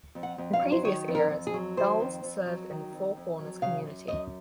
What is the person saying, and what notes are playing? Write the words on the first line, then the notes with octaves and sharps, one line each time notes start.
In previous eras, Dulles served the Four Corners community.
F2
F#5
F2
F5
F#3
C5
D#3 C#5
F2
A#4
F2
G#4
F#3
D#3 C5
F2
F2
F#3
D#3
F2
F2
F#3
C#3 F5
F#2
F#2 D#5